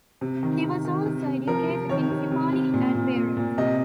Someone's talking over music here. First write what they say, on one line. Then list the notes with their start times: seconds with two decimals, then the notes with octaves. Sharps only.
He was also educated in Tripoli and Beirut.
0.21 C3
0.43 D#3
0.64 C3
0.85 D#3
1.06 C3
1.27 C3
1.47 F3 A#4
1.69 C3
1.89 D#3 C#5
2.10 C3
2.32 C3
2.53 C3
2.74 A#2
2.94 A#2
3.16 A#2
3.37 A#2
3.58 C3 D#5